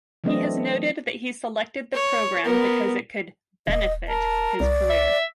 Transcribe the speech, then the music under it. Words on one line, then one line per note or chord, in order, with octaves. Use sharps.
He has noted that he selected the program because it could "benefit" his career.
E3 F#3 A3 C4 D4 D#5
C#5
B3 A#4
D#1 D#5
A#4 A5
C2 D5
E5